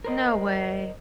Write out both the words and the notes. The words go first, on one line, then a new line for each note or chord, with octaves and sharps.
No way.
A#4 C5 D#5